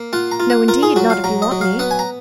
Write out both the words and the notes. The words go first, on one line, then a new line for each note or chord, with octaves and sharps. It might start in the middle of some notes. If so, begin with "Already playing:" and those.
"No, indeed--not if you want me."
Already playing: A#3
F4 F#5
A#5
F4
F#5
F4 A#4
G#4
F#3 F#4
F5
F#3 A#5
D#5
F#3
F5
B3 F#5
G#5
A#5